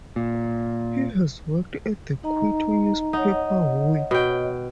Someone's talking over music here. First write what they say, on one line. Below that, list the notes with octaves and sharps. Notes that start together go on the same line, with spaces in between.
He has worked at the Quito newspaper "Hoy".
A#2
D#4 D#5 A#5
D#4 C#5 D#5 F#5
B2 G5